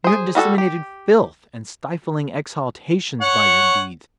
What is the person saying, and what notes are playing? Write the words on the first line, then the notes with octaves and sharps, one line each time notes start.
You have disseminated filth and stifling exhalations by your deeds.
G#4 C5
G3 F#4 G#4 A4
G4
C#5 F#5